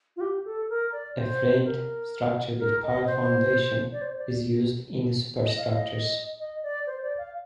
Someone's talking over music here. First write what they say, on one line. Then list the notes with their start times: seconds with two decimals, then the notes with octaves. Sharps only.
A framed structure with pile foundation is used in the superstructures.
0.17 F4
0.21 G4
0.45 A4
0.69 A#4
0.92 D5
1.16 C5
1.64 A#4
2.59 A#4
2.83 D#5
3.07 C5
3.92 D5
4.01 C5
4.17 D5
5.44 D#5
5.58 F5
5.72 D#5
6.39 D#5
6.63 D5
6.87 C5
7.02 D5
7.18 F5